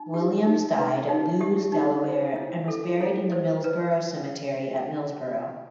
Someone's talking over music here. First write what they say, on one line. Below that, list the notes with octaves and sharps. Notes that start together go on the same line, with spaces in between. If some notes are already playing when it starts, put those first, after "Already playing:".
Williams died at Lewes, Delaware and was buried in the Millsboro Cemetery, at Millsboro.
Already playing: D#4
G4
D#4
B4
D#4
G4
D#4
C5
E4
A4
E4
C5
B4